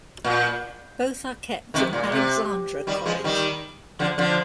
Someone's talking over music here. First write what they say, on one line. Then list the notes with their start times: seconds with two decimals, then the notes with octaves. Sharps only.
Both are kept in Alexandra college.
0.24 A#2
1.74 C3 D#3
1.93 A#2
2.04 A#2
2.12 C3
2.87 D#3 G3
3.06 F3 G#3
3.24 D#3 G3
3.99 D3 F3
4.18 D3 F3